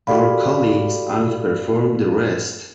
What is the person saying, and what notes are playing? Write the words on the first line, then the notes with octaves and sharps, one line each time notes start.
Our colleges outperformed the rest.
F#4 G4 A4 D5 F5 B5